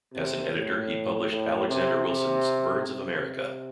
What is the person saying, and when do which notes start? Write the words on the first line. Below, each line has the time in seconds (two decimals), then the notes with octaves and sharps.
As an editor, he published Alexander Wilson's "Birds of America".
0.14 C3
0.53 A2
1.30 A2
1.68 C3
2.07 C3
2.85 C3
3.24 C3